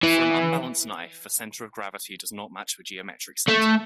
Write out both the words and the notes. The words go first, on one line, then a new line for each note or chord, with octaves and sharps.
For an unbalanced knife, the center of gravity does not match the geometric center.
E3
A3